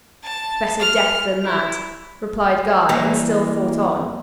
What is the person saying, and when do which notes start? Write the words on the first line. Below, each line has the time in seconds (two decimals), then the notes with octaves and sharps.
"Better death than that," replied Guy, and still fought on.
0.23 A5
0.79 F6
1.44 E4
2.89 E3 G3 A#3